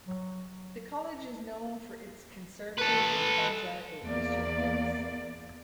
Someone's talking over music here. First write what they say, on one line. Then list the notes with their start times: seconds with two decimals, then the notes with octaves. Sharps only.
The college is known for its conservative evangelical Christian focus.
0.07 F#3
2.78 A4 B4
4.04 E2 A#3 D5